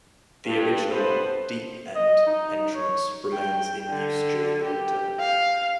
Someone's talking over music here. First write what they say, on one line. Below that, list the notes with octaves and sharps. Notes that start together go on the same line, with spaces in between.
The original "deep end" entrance remains in use during the winter.
G2
C3 B3 A4 B4 C5
D#5
D#4
C#5
G5
D3
G4
F5